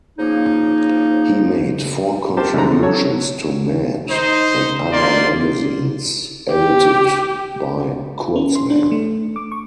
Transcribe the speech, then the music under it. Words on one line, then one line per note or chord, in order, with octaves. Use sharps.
He made four contributions to "Mad" and other magazines edited by Kurtzman.
C#3 F3 A#3 D#4
G4 A#4 C5 A5
C#2 F#2 A2 D3 A#5
A2
F#3 A4 C#5
D#4 C5
A#3 D#4 F4 D5 C6
G4
C#4
C6
D4
A3
D6
C#6